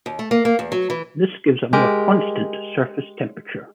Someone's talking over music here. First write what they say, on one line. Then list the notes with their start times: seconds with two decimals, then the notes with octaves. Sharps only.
This gives a more constant surface temperature.
0.06 D#2
0.19 A3
0.31 A#3
0.45 A#3
0.59 E2
0.72 F#3
0.90 E3
1.73 G#3 G4 A#4